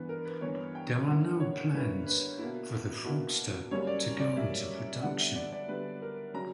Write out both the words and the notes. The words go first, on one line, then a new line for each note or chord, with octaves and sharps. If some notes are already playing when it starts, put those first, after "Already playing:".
There are no plans for the Frogster to go into production.
Already playing: G2 E3 B3 B4
A#4
B4
G2 E3 B3 C#5
G5
G2 D3 A#3 E4 F#5
C#5
G2 D3 A#3 E4 B4
B4
B2 A#3 E4
B2 A#3 E4
F#2 C#3 G3 A#3 C#5
D5
D5
F#2 C#3 G3 A#3 E5
D3 G3 B3 D4 F#5
E5
D5
D5
D3 G3 B3 D4 B4
A#4
C#3 F#3 A#5